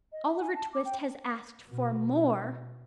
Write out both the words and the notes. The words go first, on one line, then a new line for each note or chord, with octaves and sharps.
Oliver Twist has asked for more!'
D#5
E5
G#5
A5
D6
G5
B2